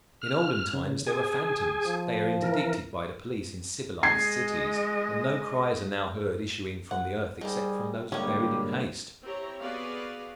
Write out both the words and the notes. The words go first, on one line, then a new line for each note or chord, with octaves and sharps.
In olden times there were fantoms; they are interdicted by the police in civilized cities and no cries are now heard issuing from the earth except from those buried in haste.
F6
C#3
G#4 G#5
F3
E3 A#4
G#3 D#5 G#6 C7
F#5
D#3 G3 G#4 C5
D3 D#3 G3 G#3 A#3 C#4 G4
C4 E4 G4 C#5 A#5
B3 F#4 G#4 B4 D5 F5